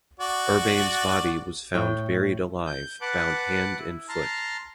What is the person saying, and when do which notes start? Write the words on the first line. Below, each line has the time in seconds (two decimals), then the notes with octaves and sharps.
Urbain's body was found buried alive, bound hand and foot.
0.20 F#4 D5
1.74 A2 G5
2.67 G6
3.01 B4 F#5 A5 D6 F#6
3.78 E4
4.09 A5 A#5 C6 F6